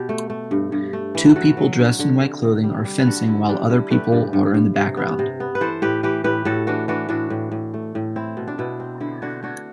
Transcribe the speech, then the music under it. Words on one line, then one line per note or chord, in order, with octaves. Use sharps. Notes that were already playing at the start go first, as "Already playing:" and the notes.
Two people dressed in white clothing are fencing while other people are in the background.
Already playing: B2 G4
A3
A3
G2
G2
A3
E3
B4
F#3 F#4 A4
F#3
D3
D3
C3
C3
G3
G3
B4
D3 F#4 A4
F#4
D3 E4
G3 D4
D3 E4
A3 G4 B4
G2
G2
G2
C3
B3
C3
B3
B4
E3 A4 C5
A2 G4 B4
E3 G4 B4
A2 G4 B4
A2 F#4 A4
E3 D4 F#4
E3 D4 F#4
A2 D4 F#4
A2
A2
A3
A2
C4 E4
B2
D4
B2 E4
C4
D3 E4
D3 D4 F#4
A3 D4 F#4